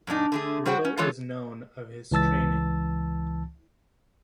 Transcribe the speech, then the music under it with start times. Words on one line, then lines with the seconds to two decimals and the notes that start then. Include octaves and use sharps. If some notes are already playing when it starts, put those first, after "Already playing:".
Little is known of his training.
0.07 F#2 A#2 D4 D#4
0.32 D3 A3 G#4
0.66 G3 F#4 C5 F#5 G5
0.85 C#4
0.97 D3 E3 G#3 F4 A4 C#5
2.11 C#2 E3 A5 E6 A6